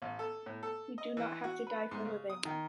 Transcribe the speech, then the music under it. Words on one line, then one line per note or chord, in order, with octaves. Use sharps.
We do not have to die for living.
A1
A4
A2
A4
D#5
E3
F#4
B4
G#2
C#3
D#6
D#3